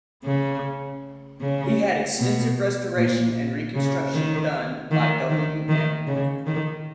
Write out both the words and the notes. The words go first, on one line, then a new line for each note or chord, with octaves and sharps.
He had extensive restoration and reconstruction done by Wm.
C#3
C#3
B2
A#2
C#3
D#3
D#3
D#3
D#3
C#3
D#3